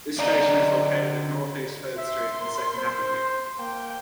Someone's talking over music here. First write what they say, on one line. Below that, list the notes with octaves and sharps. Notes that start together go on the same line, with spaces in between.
This station is located at Northeast Third Street and Second Avenue.
D3 D5 D#5 A#5
E5 C6
A#4
C5
A#3 G5